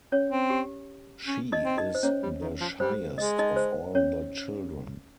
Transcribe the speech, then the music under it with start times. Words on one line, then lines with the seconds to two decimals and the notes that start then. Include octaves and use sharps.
She is the shyest of all the children.
0.12 C#4 C#5
0.31 C4
0.50 G4
1.27 C#4
1.52 D#4 D#5
1.65 C4
1.78 D#4 D#5
1.95 C5
2.03 A#3 C#4 C#5
2.23 G3
2.41 D#3
2.61 F3
2.80 G3 C5
3.18 G#3 D#5
3.39 D#4 D#5
3.56 C5
3.95 C#4 C#5